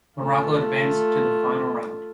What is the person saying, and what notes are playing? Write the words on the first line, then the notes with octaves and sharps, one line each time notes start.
Morocco advanced to the Final Round.
A3 F4